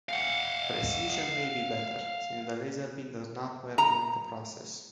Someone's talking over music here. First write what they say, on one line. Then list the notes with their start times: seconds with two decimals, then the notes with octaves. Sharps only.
Precision may be better, since the laser beam does not wear during the process.
0.09 F5 F#5
3.78 A#5